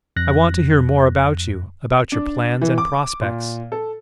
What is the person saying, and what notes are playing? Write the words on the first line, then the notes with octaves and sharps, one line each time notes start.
I want to hear more about you--about your plans and prospects.
F2 F#6 A#6
D4
E3
D6
A#2
A4